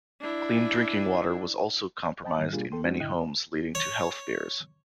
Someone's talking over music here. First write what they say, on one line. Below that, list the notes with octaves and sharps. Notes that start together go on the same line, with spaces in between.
Clean drinking water was also compromised in many homes leading to health fears.
D4 E4
C5 D#5 G5 A5 B5
G#2 D#3 G3
B2 G3 A#3 D4 F4 G#4
A4 G5 C6
F3 G#3 C4 D4 F#4
F#2 D3 E4 D#5 G5 F#6
C#5